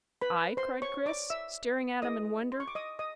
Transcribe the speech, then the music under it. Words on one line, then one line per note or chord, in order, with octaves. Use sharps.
"I?" cried Chris, staring at him in wonder.
B4 B5
C5 C6
C#5 C#6
D5 D6
E5 E6
E4 G#4 B4 D#5 D#6
C6
C#6
D6
D#5 D#6
D#5 D#6